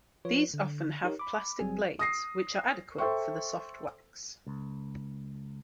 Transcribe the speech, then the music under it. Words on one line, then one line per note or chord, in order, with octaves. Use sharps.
These often have plastic blades, which are adequate for the soft wax.
F3 F4 B4 C#5
D3
D#4 G4 A#4 C#5
B5 D6
G1 F#3 G3 C4 G#4 G#5
D#6 A#6 C7
A4 C5 E5 G5 C6 C#6
C#2